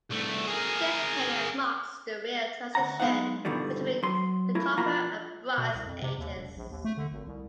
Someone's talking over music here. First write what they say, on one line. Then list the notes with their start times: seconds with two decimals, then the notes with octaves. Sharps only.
This period marks the real transition between the copper and bronze ages.
0.10 C2 A3
0.47 G#4 A#4
2.75 D2 F#5 A#5
3.00 F#2 G#3 B3 D#4 F5 F#5
3.45 G2 B2 D3 D#3 F3 G3
4.03 F#3 C6
4.55 A3 E4 F4 A#4
4.77 B2 F3 A#3 F4 A#5 B5
5.58 B2
5.75 C2
5.87 F2
6.02 C3
6.19 D#2
6.37 E1
6.57 A#1
6.70 D#2
6.85 A3
6.97 D3
7.12 G#1
7.27 C2